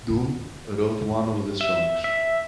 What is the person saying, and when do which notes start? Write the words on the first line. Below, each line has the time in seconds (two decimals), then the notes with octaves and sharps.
Doom wrote one of the songs.
1.61 E5
2.04 E5